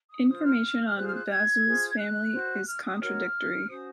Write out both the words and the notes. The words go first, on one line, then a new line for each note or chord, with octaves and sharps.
Information on Vazul's family is contradictory.
D#6
F4 C5 D#6
F6
F6
F4 G#4 C5 F#6
F6
F#6
G#6
F4 G#4 C5
G#6
F#6
F#4 C5
F6
D#6
D#4 F#4 A#4 C#5 F6
C#4 F#4 C5 D#6